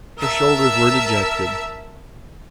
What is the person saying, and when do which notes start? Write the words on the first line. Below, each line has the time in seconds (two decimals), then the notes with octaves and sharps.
Her shoulders were dejected.
0.17 A#4 E5 A5 E6